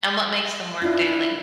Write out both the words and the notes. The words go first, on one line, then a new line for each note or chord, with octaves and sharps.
and what makes them work daily?
D4 E4 F4